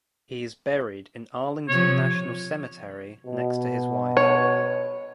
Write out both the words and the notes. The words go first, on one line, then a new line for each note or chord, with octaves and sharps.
He is buried in Arlington National Cemetery next to his wife.
C3 F3 C#5
B2
C#5